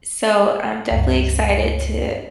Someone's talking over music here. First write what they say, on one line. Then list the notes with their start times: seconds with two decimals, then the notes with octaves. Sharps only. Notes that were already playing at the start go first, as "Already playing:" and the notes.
So I'm definitely excited to
0.91 C#2 G2